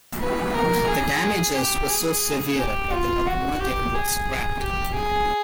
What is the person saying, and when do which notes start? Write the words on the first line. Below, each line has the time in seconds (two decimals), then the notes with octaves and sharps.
The damages were so severe that the locomotive was scrapped.
0.20 B4
0.54 A#4
0.88 G#4
1.56 G4
1.90 G#4
2.59 G4
2.92 F4
3.26 F#4
3.60 G4
3.94 G#4
4.62 G4
4.96 G#4